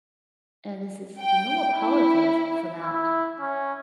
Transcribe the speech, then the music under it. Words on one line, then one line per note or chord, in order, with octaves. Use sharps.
And this is no apologies for that.
G5
E4
E4
C#4